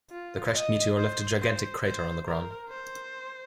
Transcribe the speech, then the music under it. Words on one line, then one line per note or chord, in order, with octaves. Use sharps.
The crashed meteor left a gigantic crater on the ground.
F4
D#5
C5
C5
C5
A#4
C5